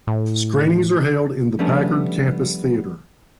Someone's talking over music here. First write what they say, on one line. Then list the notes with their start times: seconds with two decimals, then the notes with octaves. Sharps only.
Screenings are held in the Packard Campus Theater.
0.07 A2
1.59 F3 G3 A3 B3 C#4 D4